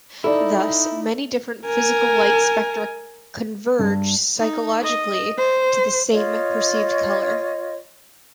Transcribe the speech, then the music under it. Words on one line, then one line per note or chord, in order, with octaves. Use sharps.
Thus, many different physical light spectra converge psychologically to the same perceived color.
D#4 E4 A4 D5
A#4 G#5
G2
D#4
D#5
C5
F4 C#5 D#5